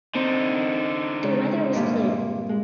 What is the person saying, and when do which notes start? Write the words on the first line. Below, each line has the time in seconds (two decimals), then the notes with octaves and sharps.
The weather was clear.
0.15 D3 C4 D#4
1.23 C#3 G#3
1.76 G2 A#2
2.49 G#3